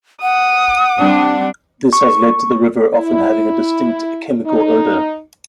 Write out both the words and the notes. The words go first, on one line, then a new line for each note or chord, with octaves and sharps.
This has led to the river often having a distinct "chemical odour".
F#5 D#6
G3 C4 D4
C#6
E4
D#4